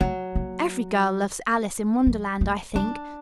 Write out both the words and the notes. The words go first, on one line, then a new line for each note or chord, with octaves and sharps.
Every girl loves 'Alice in Wonderland,' I think.
F#3 A3
A#3
F#3
A3
G3 D4